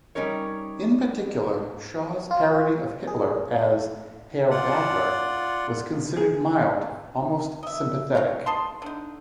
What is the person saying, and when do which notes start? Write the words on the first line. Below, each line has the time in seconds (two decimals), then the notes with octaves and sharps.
In particular, Shaw's parody of Hitler as "Herr Battler" was considered mild, almost sympathetic.
0.15 G3 C#4 D#4 A#4 C#5
2.31 F4
3.07 G#4
4.51 F4 D5 F#5
6.17 G#4
7.63 D#5 E5
8.15 C4 C#5 F5
8.46 D#5 A5 C6
8.82 D3 D#4